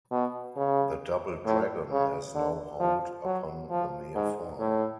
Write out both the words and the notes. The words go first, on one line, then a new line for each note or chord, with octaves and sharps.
The Double Dragon has no hold upon the mere form.
B2
C#3
A2
C#3
D3
F3
F#3
F3
G#2
A2